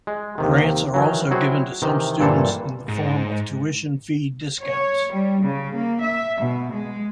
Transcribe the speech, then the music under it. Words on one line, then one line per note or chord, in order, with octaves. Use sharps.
Grants are also given to some students in the form of tuition fee discounts.
G#3
D#2 C3 D#3
D#3 E3 F#3
F#3 C4 E4 F#4 G#4 C5
C3 D#3 E3
G2 A#2 E3 A4 C5 A5
G#2
C#5
G3
C#3
A#3
E5
B2
G#3